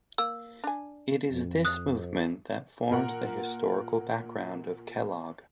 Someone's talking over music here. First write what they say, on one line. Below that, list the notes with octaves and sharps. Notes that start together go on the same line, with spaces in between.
It is this movement that forms the historical background of Kellogg.
A#3 E6
D4 G#5
F2
D#6 F#6
A#2 A#4 F#5